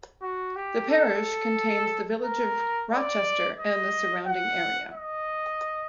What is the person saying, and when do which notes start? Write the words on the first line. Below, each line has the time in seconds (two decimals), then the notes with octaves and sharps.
The parish contains the village of Rocester and the surrounding area.
0.22 F#4
0.56 G4
0.90 A4
2.25 A#4
2.92 D5
3.60 D#5
4.27 F#5
4.94 D#5